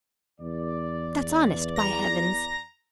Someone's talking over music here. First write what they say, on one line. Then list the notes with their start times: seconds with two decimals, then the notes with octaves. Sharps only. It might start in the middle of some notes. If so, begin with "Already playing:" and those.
That's honest, by heavens!
0.40 E2 D5
1.76 A#5 A#6